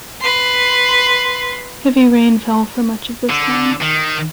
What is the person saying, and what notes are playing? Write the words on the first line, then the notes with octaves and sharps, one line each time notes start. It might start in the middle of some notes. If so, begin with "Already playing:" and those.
Heavy rain fell for much of this time.
B4 C6
D3
D#3